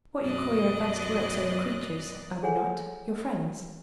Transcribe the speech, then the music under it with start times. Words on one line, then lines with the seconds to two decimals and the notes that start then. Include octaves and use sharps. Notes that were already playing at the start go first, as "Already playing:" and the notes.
"What you call your advanced works are your creatures, are they not--your friends?"
0.23 F#2 B2 D5 D#5 F#6
2.43 G#4 A4 C#5 F#5 G#5